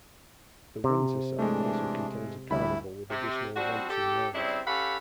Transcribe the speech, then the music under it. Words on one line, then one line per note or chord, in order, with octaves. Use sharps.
The Windsor side also contains a carnival with additional events and rides.
C3
E3 G#3 A3 D4
D2 G3 E4 B5
C3
F3 G3 C4 D4 F#4
G4 A4
C#3 G3 C4 D4 E4
C#4 G4 A4 F5 F#5 B5